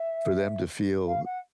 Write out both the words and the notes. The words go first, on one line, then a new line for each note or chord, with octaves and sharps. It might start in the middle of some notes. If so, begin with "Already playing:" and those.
for them to feel,
Already playing: E5
F5
F#5